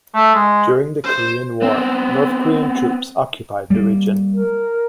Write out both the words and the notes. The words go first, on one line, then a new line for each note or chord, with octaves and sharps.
During the Korean War, North Korean troops occupied the region.
A3
G#3
C5
B3 C4
G3 A#3
A#4